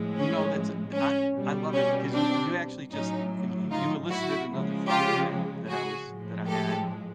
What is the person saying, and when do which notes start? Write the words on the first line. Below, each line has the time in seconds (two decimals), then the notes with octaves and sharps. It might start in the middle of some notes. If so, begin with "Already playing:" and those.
no, that's I I love it because you you actually just, uh, y you elicited another thought that I that I was that I had, and
Already playing: A2 F3 G#3
0.18 C#4
0.95 C#4
1.35 B2 G3
1.75 C#4
2.14 C4 D4
2.92 A2 F#3 C#4 D#4
3.71 D#4 F4
4.10 E4 F#4
4.50 C#3 F3 G#3
4.89 F4 G4
5.69 F#4 G#4
6.07 A2 F3 G#3
6.48 G4 A4